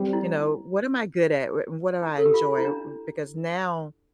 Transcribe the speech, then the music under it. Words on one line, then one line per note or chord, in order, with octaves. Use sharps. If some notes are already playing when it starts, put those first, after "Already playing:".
you know, "What am I good at? R what do I enjoy?" Because now
Already playing: G3 C4 G4
E4
E4
A4
G4
F4
E4
D4